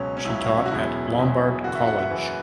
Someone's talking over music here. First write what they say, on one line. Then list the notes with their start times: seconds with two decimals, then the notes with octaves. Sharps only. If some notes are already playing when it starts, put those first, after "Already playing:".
She taught at Lombard Collage.
Already playing: C#2 B2 F#3 C#4
0.17 C#4
0.25 C#2 B2 F#3 E4
0.40 E4
0.56 C#4
0.66 F#4
0.72 E1 E2 B2 F#3 E4
1.17 E1 E2 B2 F#3
1.64 F#1 F#2 E3 F#4
1.75 E5
1.87 F#5
1.98 E5
2.10 F#1 F#2 E3 B4